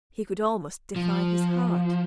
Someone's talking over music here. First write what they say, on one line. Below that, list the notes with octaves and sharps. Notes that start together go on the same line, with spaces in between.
He could almost defy his heart.
F3